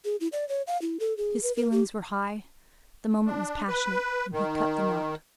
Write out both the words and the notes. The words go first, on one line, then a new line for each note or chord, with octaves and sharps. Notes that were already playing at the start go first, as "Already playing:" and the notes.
His feelings were high, the moment was passionate, and he cut the knot.
G#4
E4
D5
C#5
F5
E4
A4
G#4
B4
A#4
G4
D4
B4
D#3